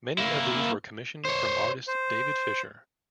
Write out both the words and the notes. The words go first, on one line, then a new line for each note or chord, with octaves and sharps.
Many of these were commissioned from artist David Fisher.
A#3 E4
C5 C#5
C5